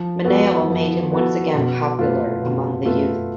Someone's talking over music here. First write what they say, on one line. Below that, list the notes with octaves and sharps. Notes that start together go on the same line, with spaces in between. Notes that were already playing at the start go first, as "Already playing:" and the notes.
Minnale made him once again popular among the youth.
Already playing: F3
B3 F#4 A4
F3
B3 F#4 A4
B2
A3 F4 B4
B2
A3 F4 B4